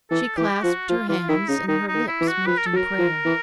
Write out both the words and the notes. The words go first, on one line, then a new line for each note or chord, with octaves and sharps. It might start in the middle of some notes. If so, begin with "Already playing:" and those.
She clasped her hands, and her lips moved in prayer.
E3 A4
E3 G4
F3 F#4
F3 F4
E3 F4
D#3 E4
C#3 D#4
D#3 D#4
D#4
D#3
E4
E3
F#4
F3 B4
A#4
A4
F#3
A#4
F3
E3